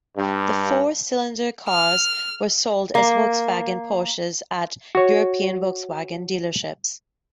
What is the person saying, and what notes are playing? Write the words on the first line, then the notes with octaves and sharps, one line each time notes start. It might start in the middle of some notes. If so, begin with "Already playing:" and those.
The four-cylinder cars were sold as Volkswagen-Porsches at European Volkswagen dealerships.
G2
F6
A#3
F#4 C#5